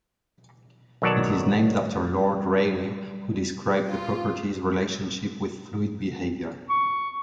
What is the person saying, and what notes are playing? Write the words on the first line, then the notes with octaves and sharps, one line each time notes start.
It is named after Lord Rayleigh, who described the property's relationship with fluid behaviour.
B1 D#3 F#3 C#5 D5 A5
G3
F4
C#6